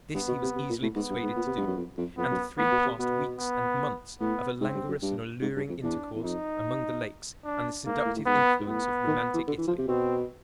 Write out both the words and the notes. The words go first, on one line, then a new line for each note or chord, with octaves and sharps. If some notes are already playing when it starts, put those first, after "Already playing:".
This he was easily persuaded to do; and the three passed weeks and months of a languorous and alluring intercourse among the lakes and the seductive influence of romantic Italy.
G2 B3
B2
C3
C3
A#2
A2
G#2 B3
G2
G#2
A#2
C3
G2
F#2
F2
F2
F2 B3
F#2
A2 B3
B2
C3
B2 B3
B3
A2 B3
G#2 C4
G2
F#2
G2
G#2
G2
F2
E2 D4
E2
F2 D#4
D4
G#2 A#3
A2
A2
G#2 B3
G#2
A2 B3
D#3
E3
D3
E3
F3
C3
B2 C4